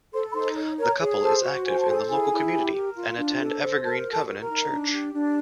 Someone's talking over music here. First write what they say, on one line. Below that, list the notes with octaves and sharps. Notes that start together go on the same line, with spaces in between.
The couple is active in the local community, and attend Evergreen Covenant Church.
A4 C5 C6
B5
D#4 C5 C6
C#5
A#4 C#5 A#5
G#4
A4 C5 A5
F#4
C5 G#5
A5
G#4 A4 G#5
E4 G#4 G#5
E4
G4
A#4
F4
D4
A4
C5
A4 A#4 A5
F#4
A4 A5
A#4
A#4 A#5
D#4
D4
G4
D4